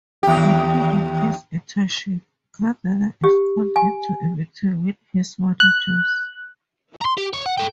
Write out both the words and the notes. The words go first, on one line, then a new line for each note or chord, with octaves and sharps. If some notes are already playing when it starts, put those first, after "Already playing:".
Concluding his internship, Gardner is called into a meeting with his managers.
D#2 G4
G4
G#5
F#6
A#5 C6
G4
C#5
F#5
A4 G5